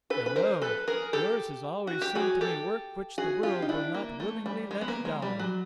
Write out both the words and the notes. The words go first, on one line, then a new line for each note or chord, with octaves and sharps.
"I know, yours has always seemed to me work which the world will not willingly let die."
A4 B4
B4
A#4 C5
A4 B4
G#4 A#4
G4 A4
F#4
G4
F#4 G#4
G4 A4
F#4 G#4
F4 G4
D#4
D4 E4
A#3
A3
G3
G#3
B3
A#3
G#3
G3
F#3